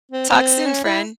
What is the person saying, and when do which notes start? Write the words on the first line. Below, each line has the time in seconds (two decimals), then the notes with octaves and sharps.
Talk soon, friend.
0.11 C4
0.30 C4
0.65 C#4
0.84 E4